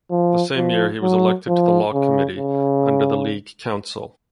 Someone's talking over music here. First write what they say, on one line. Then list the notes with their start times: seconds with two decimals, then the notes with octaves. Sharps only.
The same year he was elected to the Law committee under the League council.
0.11 F3
0.56 F3
1.02 F#3
1.47 F3
1.93 C#3
2.39 C#3